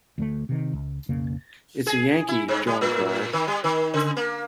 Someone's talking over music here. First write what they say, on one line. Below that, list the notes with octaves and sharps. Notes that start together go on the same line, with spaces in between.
It's a Yankee, Joan cried.
D2 G3 A3
C3 D#3
C#2
B1 F2 C#3 A#3
G#4
E4
G2
G3
A2
D#3
G3
D#3
C#3
A#3